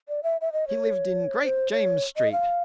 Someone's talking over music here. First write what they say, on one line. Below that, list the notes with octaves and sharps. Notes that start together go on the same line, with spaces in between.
"He lived in Great James Street."
D5
E5
E5
D#5
C#5
C5
C#5
D#5
F5